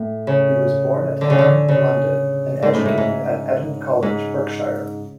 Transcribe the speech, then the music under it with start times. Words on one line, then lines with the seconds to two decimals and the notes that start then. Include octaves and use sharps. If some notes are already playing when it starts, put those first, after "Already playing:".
He was born at Ham, London and educated at Eton College, Berkshire.
Already playing: A2
0.27 C#3
1.21 D3
1.30 C#3
1.38 D3
1.69 C#3
2.62 G#2
2.73 A2
2.85 G#2
2.98 G#2
4.02 G#2